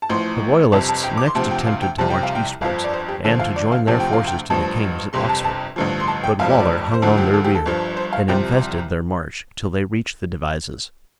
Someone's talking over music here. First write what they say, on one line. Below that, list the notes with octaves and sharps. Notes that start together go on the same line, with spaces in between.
The royalists next attempted to march eastwards, and to join their forces to the king's at Oxford: but Waller hung on their rear, and infested their march till they reached the Devizes.
A5
A1 A2 F3 C6
G1 F2 C3 A5
A5
G5
D6
C6
D2 C3 F3 A5
G5
F5
G5
C2 C3 F3 A5
G5
F5
G5
G1 F2 F3 F5
D5
C5
G4
D2 D3 F3 A4
F5
D5
F5
D2 C3 F3 A5
G5
F5
G5
A1 G2 F3 A5
G1 F2 C3 C6
A5
A5
A1 G2 D3 F3
C6
A5
G5
F1 F2 F3 F5
D5
D5
C5
D2 D3 F3 A4
G4
A4
G4
A4
G1 G2 F3
C5
F5
C2 C3 F3 G5